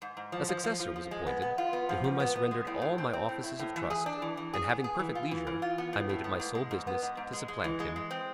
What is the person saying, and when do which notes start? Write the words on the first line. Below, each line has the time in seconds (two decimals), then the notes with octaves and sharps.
A successor was appointed, to whom I surrendered all my offices of trust, and having perfect leisure, I made it my sole business to supplant him.
0.02 G#2
0.17 G#2
0.32 F3
0.49 F3
0.64 F3
0.80 F3
0.96 F3
1.11 G#3
1.27 B3
1.42 B3
1.58 F4
1.73 B3
1.89 F3
2.04 G#2
2.20 B3
2.36 B3
2.51 G#3
2.67 A2
2.82 A2
2.98 C4
3.13 C4
3.29 A2
3.44 E4
3.59 A2
3.76 E3
3.90 G#4
4.06 D4
4.22 E3
4.37 E3
4.54 G#4
4.69 B3
4.84 G#4
4.99 E3
5.15 F4
5.31 E3
5.47 E3
5.62 F4
5.78 B3
5.93 A2
6.09 A2
6.24 B3
6.40 G#2
6.55 G#3
6.71 G#2
6.87 B3
7.02 G#2
7.17 G#2
7.33 G#3
7.48 G#3
7.64 E3
7.80 G#3
7.96 G#3
8.11 C4